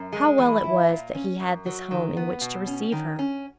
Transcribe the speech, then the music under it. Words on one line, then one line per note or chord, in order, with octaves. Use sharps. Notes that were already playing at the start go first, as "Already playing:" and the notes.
How well it was that he had this home in which to receive her!
Already playing: F#2
G#3
E3
E4
A#2
C#4
F#2
F#3
D#3
B3
B2
C#4
D#3
C#4